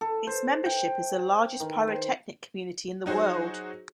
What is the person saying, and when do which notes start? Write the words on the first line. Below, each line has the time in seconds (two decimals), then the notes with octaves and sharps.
Its membership is the largest pyrotechnic community in the world.
0.01 A4
0.27 C5
0.66 G5
1.60 D#3
1.87 C5
3.06 F#3 D#4 F#4 G#4 C5